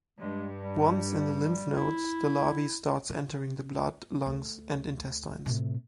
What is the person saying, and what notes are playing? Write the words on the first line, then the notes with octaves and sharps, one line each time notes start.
Once in the lymph nodes, the larvae starts entering the blood, lungs, and intestines.
G2 G#3
G3
E4
C#3
D2
A2 C3